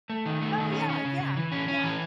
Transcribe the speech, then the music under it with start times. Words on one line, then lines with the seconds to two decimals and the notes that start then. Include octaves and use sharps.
Oh, yeah, yeah, yeah.
0.10 A3
0.26 D#3
0.41 A3
0.58 D#3
0.72 C#4
0.89 C#4
1.05 C#3
1.21 C#3
1.37 E3
1.52 C#4
1.68 C#4
1.84 E3